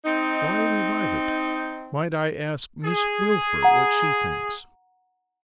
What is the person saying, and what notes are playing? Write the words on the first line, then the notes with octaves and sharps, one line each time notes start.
Why revive it? Might I ask Miss Wilfer what she thinks?'
C4 D#4
G#4
F#5 A#5